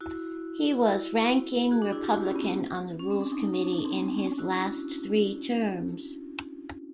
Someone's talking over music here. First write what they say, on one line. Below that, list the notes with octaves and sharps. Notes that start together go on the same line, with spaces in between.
He was Ranking Republican on the Rules Committee in his last three terms.
E4 F#4
E4 F#4
F#4 G#4
D4
E4 F#4
F4 G4
E4 F#4
C#4
B3
C#4
C4
D4
D#4
D#4
C#4
D4
C#4
C4
B3
C4
C#4
D4
E4 F#4